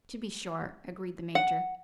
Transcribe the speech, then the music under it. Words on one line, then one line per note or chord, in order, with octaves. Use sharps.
"To be sure," agreed the Major.
F#5